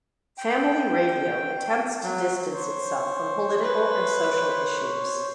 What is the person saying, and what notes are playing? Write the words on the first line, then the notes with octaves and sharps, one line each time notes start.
Family Radio attempts to distance itself from political and social issues.
G5
F#3
C5 C#5
B4